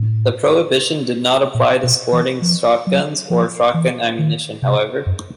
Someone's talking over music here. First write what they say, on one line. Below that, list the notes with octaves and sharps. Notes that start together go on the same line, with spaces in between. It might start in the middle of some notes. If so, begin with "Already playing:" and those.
The prohibition did not apply to sporting shotguns or shotgun ammunition however.
Already playing: A2
A#2
B2
E3
F3
F#3
F3
E3
D#3
C3
F#2